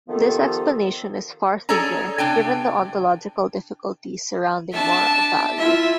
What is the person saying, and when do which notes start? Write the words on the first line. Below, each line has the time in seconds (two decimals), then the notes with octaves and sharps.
This explanation is far simpler, given the ontological difficulties surrounding moral value.
0.09 D#3 F3 B3 F4 G4 A4
1.69 G#4 A4 C#5 D5 G#5 A#5
2.18 C3 D4 G5 G#5
4.73 D4 E5 A5
5.58 E4 F4 E5